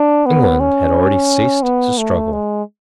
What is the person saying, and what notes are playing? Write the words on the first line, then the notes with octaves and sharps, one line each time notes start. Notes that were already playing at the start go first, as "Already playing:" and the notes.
England had already ceased to struggle.
Already playing: D4
B3
C#4
B3
A3
G#3